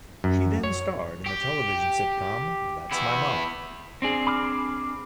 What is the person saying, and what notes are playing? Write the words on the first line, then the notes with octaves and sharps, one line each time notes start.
She then starred in the television sitcom "That's My Mama".
F#2
C#5
G4
B3 E4
C4 D4 G#4
B5 D6 F6